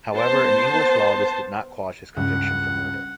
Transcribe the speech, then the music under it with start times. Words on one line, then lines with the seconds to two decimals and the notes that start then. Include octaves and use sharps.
However, in English law this did not quash his conviction for murder.
0.14 B3 C5 A5
2.17 C#2 G2 F#5